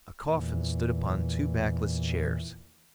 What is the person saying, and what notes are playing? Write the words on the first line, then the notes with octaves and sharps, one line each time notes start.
A coffin stood upon two backless chairs.
E2 A#2 E3